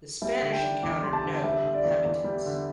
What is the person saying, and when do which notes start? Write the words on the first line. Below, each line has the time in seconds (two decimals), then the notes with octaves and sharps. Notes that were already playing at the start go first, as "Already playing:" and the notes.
The Spanish encountered no inhabitants.
0.22 G3 E5
0.43 D3
0.52 G5
0.63 D4
0.83 E2 D6
1.03 G3 C6
1.13 A5
1.24 D3
1.43 G3 E5
1.64 D3
1.74 D5
1.84 E2
2.05 E2
2.24 G3
2.45 D3